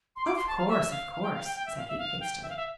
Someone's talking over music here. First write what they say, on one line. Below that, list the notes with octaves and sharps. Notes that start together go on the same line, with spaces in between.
"Of course; of course!" said he hastily.
C6
D6
C6
A5
F5
E5
F5
F5
G5
F5
G5
G5
E5
F5
E5
F5
G5
E5
F5
E5